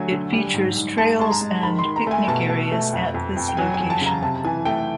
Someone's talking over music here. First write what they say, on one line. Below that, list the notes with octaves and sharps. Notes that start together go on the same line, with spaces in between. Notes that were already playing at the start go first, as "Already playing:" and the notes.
It features trails and picnic areas at this location.
Already playing: D3 F#3 A3 G#5
D3
G3
G#2
G#2
G#3 A5
G#3 A5
A#5
G#3
D#3 B5
C6
D#3
A#5
A3 G#5
B2 A5
A3
A3
F2
F2
F2
G5
F#3 G#5
G#5
F2
A5
C#3 A#5
C3 A5
E3 G#5
A3 G5